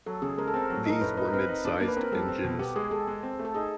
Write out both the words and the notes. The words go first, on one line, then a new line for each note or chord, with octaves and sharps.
These were mid-sized engines.
F#3 A4
C#3 G#4
G#3 A#4
A4
C4 A#4
F#3
D#4 A#4
A2 B4
D#4 B4
A#4
C4 B4
D#4
D4
A#3
B4
C4 A#4
G3 A4
C4
B2
B3 G4
G#3 G#4
G#3 A4
G#3
C4
A3
A4
D#4 G#4